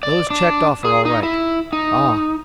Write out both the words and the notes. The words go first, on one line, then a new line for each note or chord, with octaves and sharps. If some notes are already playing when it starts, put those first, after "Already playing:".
"Those checked off are all right."
D5
D4
G#4
D#4
E4
D#4